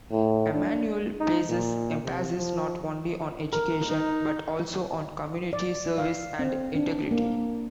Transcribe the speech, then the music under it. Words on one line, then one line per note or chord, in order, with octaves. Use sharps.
Emmanuel places emphasis not only on education, but also on community service and integrity.
A2
D4
D#4
A#2
C3
F3
A#4
D#4
D5
F5
C4
D4
A#3